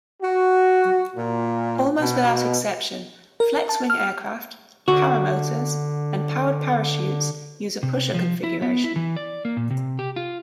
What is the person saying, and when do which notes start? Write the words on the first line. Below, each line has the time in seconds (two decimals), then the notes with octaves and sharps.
Almost without exception flexwing aircraft, paramotors and powered parachutes use a pusher configuration.
0.22 F#4
1.16 A#2
1.99 B2
3.40 A#4
3.69 A5
3.90 F6
4.88 D3 F#4
7.83 C3
8.14 F3
8.44 E4
8.62 B3
8.84 E4
8.96 E3
9.16 D5
9.45 A#3
9.57 A#2
9.71 C3
9.99 G4
10.16 F4